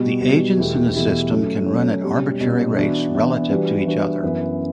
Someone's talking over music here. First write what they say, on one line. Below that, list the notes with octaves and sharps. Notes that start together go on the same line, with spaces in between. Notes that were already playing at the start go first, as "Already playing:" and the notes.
The agents in the system can run at arbitrary rates relative to each other.
Already playing: B2 G3 B3 F#4
B2 G3 B3 F#4
E2 B2 A3 E4 G4
E2 B2 A3 E4 G4
F#3 A3 C#4
F#3 A3 C#4
B2 G3 C#4
B2 G3 C#4
E3 B3 D4 F#4
E3 B3 D4 F#4
E3 G3 D4 F#4 B4
E3 G3 D4 F#4 B4
F#2 E3 B3 E4 B4